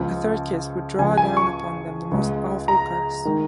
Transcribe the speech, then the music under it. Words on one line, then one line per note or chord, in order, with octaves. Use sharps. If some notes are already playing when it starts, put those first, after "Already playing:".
A third kiss would draw down upon them the most awful curse.
Already playing: C#2 C#3 F3
C#2 C#3 F3 G#5
G#5
C#6
C#2 C#3 G#3
A#5
D#3 G#3